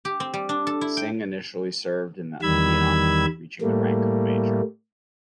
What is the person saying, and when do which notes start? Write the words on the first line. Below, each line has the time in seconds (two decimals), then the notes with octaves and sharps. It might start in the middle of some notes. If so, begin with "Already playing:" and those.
Singh initially served in the Indian Army, reaching the rank of Major.
0.05 G4
0.20 C4
0.34 G3
0.49 D4
0.67 A4
0.81 E4
0.97 G5
2.42 E2 D#3 G3 B5 E6 G#6
3.62 A2 G3 A3 A#3